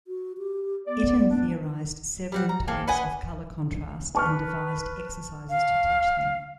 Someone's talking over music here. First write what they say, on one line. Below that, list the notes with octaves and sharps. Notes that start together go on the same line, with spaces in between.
Itten theorized seven types of color contrast and devised exercises to teach them.
F#4
G4
B3 D5
D4
G3 C4 F#5
A#5
A#3 C4 G#4 A4
B4 D#5 F#5 G#5
B4 A5 C#6 F6
F5